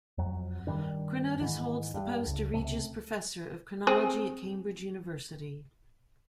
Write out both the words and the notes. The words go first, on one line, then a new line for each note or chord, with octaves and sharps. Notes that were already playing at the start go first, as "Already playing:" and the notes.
Chronotis holds the post of Regius Professor of Chronology at Cambridge University.
F2 F#3
G2 D#3 G3 D4
G#2 D#3 E3
G2
C#2
C#2 C3 A3
C4 G#4